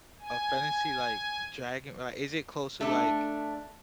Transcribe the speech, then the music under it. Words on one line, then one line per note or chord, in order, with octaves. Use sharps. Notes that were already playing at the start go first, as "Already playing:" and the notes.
a fantasy, like, dragon or, like, is it close to, like,
G#5
A3 D4